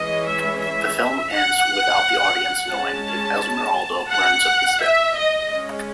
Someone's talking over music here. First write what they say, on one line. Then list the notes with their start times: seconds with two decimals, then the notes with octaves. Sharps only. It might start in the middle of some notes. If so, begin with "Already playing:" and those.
The film ends without the audience knowing if Esmeralda learns of his death.
Already playing: E3 G#3 C#4 D#5
0.26 E5
0.61 E5
1.31 F#5
2.70 G#3 C#4 A5
4.11 F#5
4.81 E5
5.16 D#5
5.50 G#3 C#4